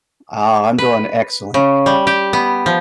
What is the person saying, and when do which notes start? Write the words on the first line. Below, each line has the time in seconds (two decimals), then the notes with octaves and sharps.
Ah, I'm doing excellent.
0.78 B4
1.54 C#3
1.86 G3
2.07 G4
2.33 B3
2.66 F3